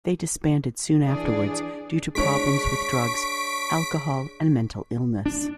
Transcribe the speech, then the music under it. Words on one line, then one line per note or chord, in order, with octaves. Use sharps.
They disbanded soon afterwards due to problems with drugs, alcohol and mental illness.
E3 D4 G#4 D5
G#3 D4 C#5 C#6 B6 D7
D4